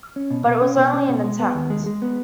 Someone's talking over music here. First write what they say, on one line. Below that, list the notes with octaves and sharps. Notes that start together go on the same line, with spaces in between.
But it was only an attempt.
C#4
B2
B2
C#4
B2
C#4
B2
G#3
B3
D#2
G#3
G#3
B3